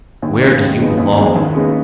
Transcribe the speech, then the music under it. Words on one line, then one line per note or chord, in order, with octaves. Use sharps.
Where do you belong?
D#2
C#3 G#3 B3 D#4
D#2
C#3 G#3 B3 D#4
D#2
C#3 G#3 B3 D#4
D#2
C#3 G#3 B3 D#4